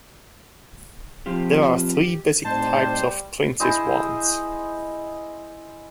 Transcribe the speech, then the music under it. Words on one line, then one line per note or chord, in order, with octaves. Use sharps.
There are three basic types of prince's wands.
F3 C4 F4 G4
G4
A2 G3 C4 D#4 C5 A5
E4 G#4 C5 D#5